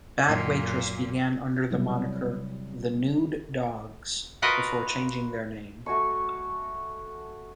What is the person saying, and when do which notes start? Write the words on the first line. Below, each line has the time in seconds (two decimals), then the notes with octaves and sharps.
Bad Waitress began under the moniker "The Nude Dogs" before changing their name.
0.25 F#2 A#2
1.71 C3 F#3 G3 E4
4.42 F4 F#4 A#4 B4 D#5
5.86 A3 F#4 G#5 C#6